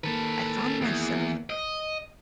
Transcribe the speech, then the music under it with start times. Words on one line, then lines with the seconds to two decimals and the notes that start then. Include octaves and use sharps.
I found myself
0.04 D#3 A#3 A4 B4
0.81 E2
1.50 D#5